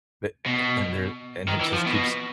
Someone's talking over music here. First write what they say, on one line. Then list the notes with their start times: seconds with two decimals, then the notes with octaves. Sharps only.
Th a and there and it just keeps
0.46 B2
1.48 D#3
1.61 E3
1.74 F3
1.86 B2